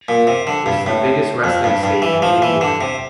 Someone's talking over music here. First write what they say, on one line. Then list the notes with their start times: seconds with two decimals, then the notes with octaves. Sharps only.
This is a biggest Wrestling Stadium in India.
0.09 A#2
0.27 C3
0.47 D3
0.66 G2
0.86 A2
1.44 F2
1.64 G2
1.83 G2
2.02 E3
2.22 F3
2.42 E3
2.61 D3
2.81 C3